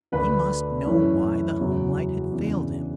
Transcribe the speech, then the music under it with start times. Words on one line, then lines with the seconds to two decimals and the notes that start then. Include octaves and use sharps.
He must know why the homelight had failed him.
0.12 D2 D3 A3 D4 B4 B5
0.85 F#2 E3 A3 C#4 E4
1.59 E2 C#3 F#3
2.32 E2 C#3 E3 B3 D4